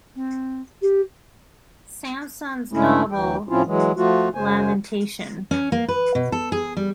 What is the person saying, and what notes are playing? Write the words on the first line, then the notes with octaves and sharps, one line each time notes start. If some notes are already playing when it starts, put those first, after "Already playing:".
Sansom's novel "Lamentation".
C4
G4
G2 C#3 G#3 C#4 E4
D2 E3 G5
A2 F3 C4 C#4 E4 F4
E3 F#3 G#3
F3 A3 F4 F#4
F#2 C#3 G#3 C5 G#5
C#4
A#3
B4
B2
A4
G#4
G3